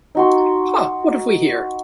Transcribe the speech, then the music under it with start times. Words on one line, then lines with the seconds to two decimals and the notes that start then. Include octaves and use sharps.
Ha, what have we here!
0.15 D#4 F#4 C6